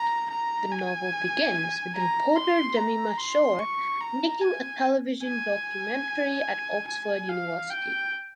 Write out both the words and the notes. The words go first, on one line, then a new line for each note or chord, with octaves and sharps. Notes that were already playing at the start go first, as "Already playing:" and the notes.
The novel begins with reporter Jemima Shore making a television documentary at Oxford University.
Already playing: A#5
A#5
G#5
A#5
C6
A#5
C6
C#6
A#5
G#5
G#5
G#5
F5
G5